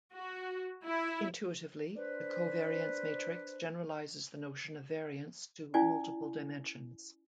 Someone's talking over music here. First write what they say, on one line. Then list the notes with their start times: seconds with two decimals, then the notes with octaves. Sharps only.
Intuitively, the covariance matrix generalizes the notion of variance to multiple dimensions.
0.13 F#4
0.84 E4
1.96 D4 B4 C5
5.74 C#4 E4 F4 D5 G#5